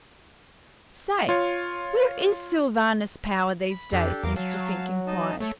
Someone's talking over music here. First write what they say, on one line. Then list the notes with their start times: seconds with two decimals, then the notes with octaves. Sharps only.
"Say, where is Sylvanus Power these days?" Mr. Fink enquired.
1.29 F4 C#5
3.70 B5
3.92 F2 D4 G4 A4
4.23 E2 A#4 F5 D6
4.36 F#3 F5 A5
5.07 D#4 D#5 A5
5.40 A3 A4 C#5